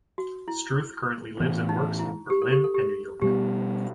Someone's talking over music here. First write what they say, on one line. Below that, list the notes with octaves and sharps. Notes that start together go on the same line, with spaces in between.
Struth currently lives and works in Berlin and New York.
F#4
E4
A2 E3 B3
D#4
E4
G4
A4
G4
A4
G4
B2 G3 B3 G4